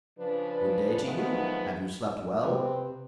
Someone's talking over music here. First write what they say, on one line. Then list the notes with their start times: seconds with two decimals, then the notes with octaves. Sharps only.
"Good-day to you; have you slept well?"
0.19 C#3 F3 D4 B4
1.03 D#3 F3 F#3 G#3 A3 B3
2.43 C3 C4 B4